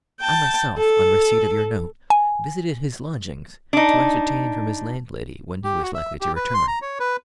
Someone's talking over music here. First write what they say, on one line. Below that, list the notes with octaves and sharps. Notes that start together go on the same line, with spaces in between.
I myself, on receipt of your note, visited his lodgings to ascertain from his landlady when he was likely to return.
G5 A5
A4
G#5
D4 D#4
G4
F#4
E5
G4
B4
C6
A#5
C#5
B4